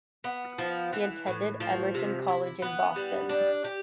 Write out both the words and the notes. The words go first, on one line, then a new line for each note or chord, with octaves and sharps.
He attended Emerson College in Boston.
B3
F3
E3
A2
F3
C3
E4
B3
G3
D4
G4